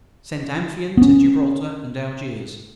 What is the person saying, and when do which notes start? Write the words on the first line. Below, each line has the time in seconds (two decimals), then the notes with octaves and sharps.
Sent Amphion to Gibraltar and Algiers.
0.97 B3 C#4